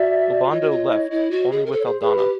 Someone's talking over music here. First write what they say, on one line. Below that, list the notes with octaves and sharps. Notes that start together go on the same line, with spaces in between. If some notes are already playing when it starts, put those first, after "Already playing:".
Obando left, only with Aldana.
Already playing: F#4 D5 E5
D5
F4 C#5 D#5
F#4
F4
E4
E4
F#4
G#4
A#4
A4 C5
C#5
G#4 C5
G#4 B4
G4